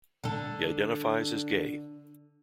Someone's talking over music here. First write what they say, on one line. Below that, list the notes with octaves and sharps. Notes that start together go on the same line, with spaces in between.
He identifies as gay.
D3 A4